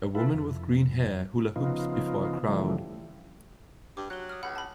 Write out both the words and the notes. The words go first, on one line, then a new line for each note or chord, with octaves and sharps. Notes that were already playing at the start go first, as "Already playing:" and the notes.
A woman with green hair hula hoops before a crowd.
E4 F4 A4 B4
F2
C#3 F3 B3 D#4 F4
C#3 E3 F3 G3 A3
G2 D6
F#3 F#6 G7
D#6 F6
C#2 F#5 B5
A5 B5